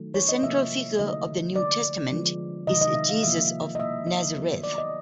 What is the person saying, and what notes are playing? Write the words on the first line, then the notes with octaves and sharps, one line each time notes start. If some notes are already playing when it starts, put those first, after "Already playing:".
The central figure of the New Testament is Jesus of Nazareth.
Already playing: D#3 F#3 A3
C#5
D#5
C3 F3 A#3 E5
D3 F#3 A3 D#5
D3 F3 A#3 D5
D3 F3 G#3 B3
C3 D#3 G#3 D#5
D#5
E5
F5
C3 F3 A#3 E5
D#5
B2 G3 A#3 E5
D#5
D#3 F#3 B3
D5
D#5